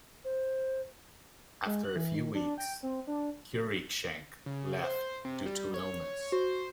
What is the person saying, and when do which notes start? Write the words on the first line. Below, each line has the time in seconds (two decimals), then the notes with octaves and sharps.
After a few weeks, Cruikshank left due to illness.
0.25 C5
1.66 G#3
1.84 F#6
1.96 E3
2.15 D#3
2.35 D4
2.58 G5
2.83 C4
3.07 D4
4.46 C#3
4.84 C5
5.25 C3
5.46 G3
5.74 C#5
6.32 F#4 C5